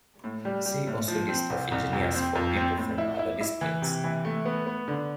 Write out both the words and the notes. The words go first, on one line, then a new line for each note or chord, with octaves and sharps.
See also List of engineers for people from other disciplines.
A2
G3
G3
A2
F3
C4
C2
C2
F2
C4
F2
C4
A2
E4
E4
E4
E3
C3
E3
A3
B3
B3
D3